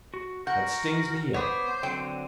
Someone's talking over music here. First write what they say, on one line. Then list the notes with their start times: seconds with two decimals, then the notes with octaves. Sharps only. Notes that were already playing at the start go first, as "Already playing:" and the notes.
That stings me yet.
0.14 F#4
0.47 F#4 A#4 F#5 G6
1.34 B3 C5 C#5 D6
1.83 D3 F#3 C4 G5